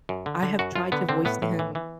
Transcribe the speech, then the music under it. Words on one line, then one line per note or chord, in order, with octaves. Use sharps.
I have tried to voice to him
F#2
D3
D3
F#2 F#4
F#2 F4
D3 B3
D3 C4
A2 B3
A2
E3
E3